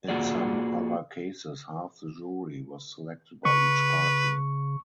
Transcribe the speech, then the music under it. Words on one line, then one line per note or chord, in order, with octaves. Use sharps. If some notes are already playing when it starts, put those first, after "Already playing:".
In some other cases half the jury was selected by each party.
A#3 F4 F#4 G#4 D5
C#3 B4 C#6